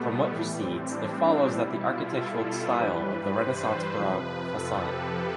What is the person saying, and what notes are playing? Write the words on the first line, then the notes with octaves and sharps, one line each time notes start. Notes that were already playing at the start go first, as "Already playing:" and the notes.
From what proceeds, it follows that the architectural style of the renaissance baroque facade.
Already playing: B2 G3 A3 B3
A2 E3 G3
C4
D4
B2 G3 E4
F4
A4
G2 E3 G3 B4
C5
C5
F2 C3 F3 B4
B4
A4
G4